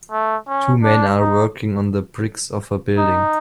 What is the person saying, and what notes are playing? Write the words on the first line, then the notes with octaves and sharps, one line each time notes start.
Two men are working on the bricks of a building.
A3
C#4
D4
D#4
D#4